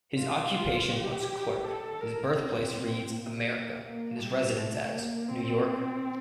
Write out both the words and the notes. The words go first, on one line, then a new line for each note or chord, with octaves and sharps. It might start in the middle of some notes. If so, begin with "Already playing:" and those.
His occupation was 'clerk', his birthplace reads 'America', and his residence as 'New York'.
F4
G4
A4
A#4
C4
A#3
A#3
G3
A3
A#3
C4